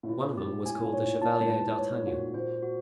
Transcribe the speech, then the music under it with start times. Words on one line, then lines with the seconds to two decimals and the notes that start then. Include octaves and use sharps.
"One of them was called the Chevalier d'Artagnan."
0.03 A2
0.09 A#2 E4
0.37 G#2 G4
0.65 A2 G#5
0.84 A#2
0.93 C#5
1.02 A2
1.22 A#2 A5
1.41 G#2
1.50 B4
1.59 A2
1.78 C#5
2.06 A#2 F#4
2.34 A#2 C5
2.63 F#4